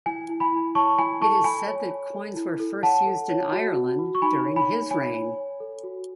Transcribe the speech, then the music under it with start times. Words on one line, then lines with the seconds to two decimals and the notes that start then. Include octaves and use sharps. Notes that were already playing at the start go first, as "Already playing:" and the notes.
It is said that coins were first used in Ireland during his reign.
0.06 E4 G#5
0.29 E4
0.40 G#5 B5
0.52 E4
0.75 C#5 A5 C#6
0.98 E4 G#5 B5
1.22 A4 A5 C#6
1.44 A4 G#5 B5
1.67 C#5
1.91 C#5
2.13 A4
2.37 E4
2.60 A4
2.83 C#5 F#5 A5
3.06 A4
3.29 C#5
3.52 F#4
3.76 F#4
3.99 F#4
4.15 C#6
4.22 D#4 G#5 B5
4.45 C#5
4.56 G#5 B5
4.68 D#4
4.91 C#5 G#5
5.14 C#5
5.37 C#5
5.60 A4
5.83 F#4